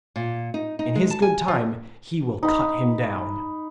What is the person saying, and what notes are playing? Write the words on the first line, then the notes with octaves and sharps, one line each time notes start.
In His good time He will cut him down.'
A#2
D#4
D#4
G#3
A5
G#5
F3
D#4 B5